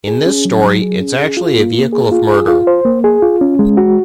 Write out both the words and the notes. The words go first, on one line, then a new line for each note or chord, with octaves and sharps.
In this story, it's actually a vehicle of murder.
G#4
C#4
F#3
F#3
G#4
C#4
G#4
F4
A#3
A#3
G#4
F4
G#4
F4
C5
A#3
G#4
F4
C#4
G#3
F#4